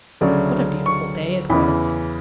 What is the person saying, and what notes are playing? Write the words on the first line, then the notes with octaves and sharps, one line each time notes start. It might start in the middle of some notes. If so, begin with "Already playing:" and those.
What a beautiful day it was!
D2 C#3 F#3 A3 D5
C#6
E2 C#3 E3 B5